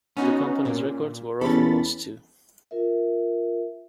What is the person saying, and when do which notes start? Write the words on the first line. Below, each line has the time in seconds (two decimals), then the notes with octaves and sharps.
The company's records were often lost too.
0.17 B3 C#4 D#4 F#4
0.65 A#2
1.41 E2 C#4 G4 A4 B5 A6
2.71 F4 A#4 E5